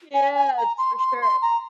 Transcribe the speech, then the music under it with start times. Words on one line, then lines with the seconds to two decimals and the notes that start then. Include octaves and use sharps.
Yeah, it's for sure.
0.14 G#5
0.35 G#5
0.58 A#5
0.78 C6
0.99 C6
1.22 C6
1.42 A#5